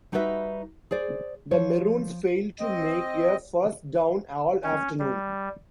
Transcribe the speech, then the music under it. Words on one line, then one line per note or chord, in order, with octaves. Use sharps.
The Maroons failed to make a first down all afternoon.
G3 D#4 F#4 B4 C#5 E5
G#4 C5 D5
F3 C#5
C4 D#5
C#4
G3